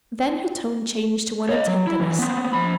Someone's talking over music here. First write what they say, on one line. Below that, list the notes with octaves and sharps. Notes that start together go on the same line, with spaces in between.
Then her tone changed to one of tenderness.
C#5 D#5
F#3
E4
D3 E3
B3 C4
F3 B5